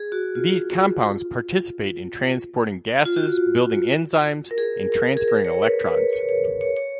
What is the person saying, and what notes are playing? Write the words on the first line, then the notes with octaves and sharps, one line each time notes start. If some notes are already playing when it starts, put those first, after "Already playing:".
These compounds participate in transporting gases, building enzymes, and transferring electrons.
Already playing: G#4
F#4
F4
F4
F#4
A#4
G#4
A#4
G#4
A#4
C#5
A#4
B4
B4
C#5
C#5
C#5
C#5
C#5
C#5